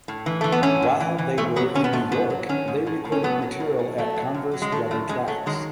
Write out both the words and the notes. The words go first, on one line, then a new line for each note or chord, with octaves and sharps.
While they were in New York they recorded material at Converse Rubber Tracks.
A2
E3
E3 A3
B3
A2 C#4
A2
E3
E3
G#2 A3
F#3 B3
D#3 C#4
B3
G#2 A3
G#2 B3
F#3
D#3 C#4
G#2
A2
A2
C#4
F#3 B3
F#3
A2
A2
F#3 A3
F#3
F#2
F#3
G#3
D#3 A3
F#2 A3
F#2 G#3
F#3 A3
D#3 G#3